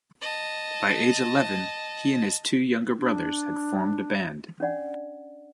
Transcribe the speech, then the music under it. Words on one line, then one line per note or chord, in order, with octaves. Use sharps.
By age eleven, he and his two younger brothers had formed a band.
D#5 A5
D4
C#4 D4 D5 F#5